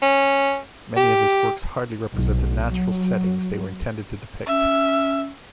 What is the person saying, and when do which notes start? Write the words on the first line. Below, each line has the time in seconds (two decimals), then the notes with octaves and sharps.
Many of his works hardly represent the natural settings they were intended to depict.
0.02 C#4
0.96 G4
2.12 B1
2.73 F#3
4.46 C#4 E5